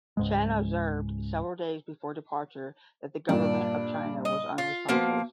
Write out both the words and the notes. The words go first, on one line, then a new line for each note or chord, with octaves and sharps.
Chen observed several days before departure that the government of China was unresponsive.
C#2 G#2 G#3
G2 A#2 D4
D#5
F4
F3 A#3 B3 F#4 C5